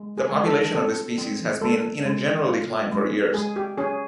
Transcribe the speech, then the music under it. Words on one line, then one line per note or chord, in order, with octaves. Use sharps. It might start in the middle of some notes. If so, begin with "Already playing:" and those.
The population of this species has been in a general decline for years.
Already playing: G#3
G#4
G#3
A4
C4 A4
C4
G#3 A4
G#3
F4
G#3
G#3 G#4
G4
C#4 G#4